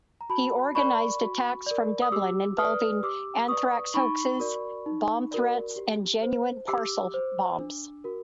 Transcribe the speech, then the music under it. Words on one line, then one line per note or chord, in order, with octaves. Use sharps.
He organised attacks from Dublin involving anthrax hoaxes, bomb threats, and genuine parcel bombs.
A#5
F#4 A5 B5
A#4 D5 B5 C#6
F#4
A#4 D5
D#6
G4 D6 E6
B4 D5 D#6 F6
G4 D6 E6
B4 D5 C#6 D#6
D#4 B5 C#6
F#4 A#4 D5
D#4
F#4 A#4 D5
G4
C5
G4 D6 E6
C5
D4
F#4 A#4